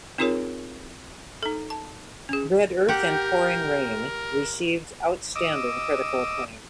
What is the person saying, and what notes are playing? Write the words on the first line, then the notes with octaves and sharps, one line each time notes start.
"Red Earth and Pouring Rain" received outstanding critical acclaim.
C4 D#4 F4 G#4 A#4 C#5
D#4 A4
A5
C#4 G#4
G4 A#4 F#5 G5
D#5 D6 E6